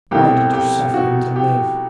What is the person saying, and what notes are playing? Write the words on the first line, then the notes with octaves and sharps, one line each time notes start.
"Why did you suffer him to live?"
C2 B2 A3 C4 G4
G4
F#4
G4